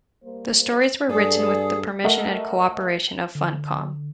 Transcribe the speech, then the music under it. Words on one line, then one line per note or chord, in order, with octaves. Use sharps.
The stories were written with the permission and cooperation of Funcom.
G3 A#3 C5
G2 G#4 A4 D5
A3 A4 A#4 D#5 E5 F#5
D3